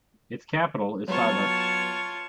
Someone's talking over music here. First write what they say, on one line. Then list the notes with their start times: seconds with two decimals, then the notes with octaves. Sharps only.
Its capital is Sibut.
1.08 F#3 B3 F4 C#5 A5 C#6